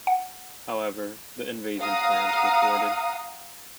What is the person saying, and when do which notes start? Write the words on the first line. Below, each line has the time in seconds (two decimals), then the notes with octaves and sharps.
However, the invasion plans were thwarted.
0.07 F#5
1.79 F5 F#5 A#5 D#6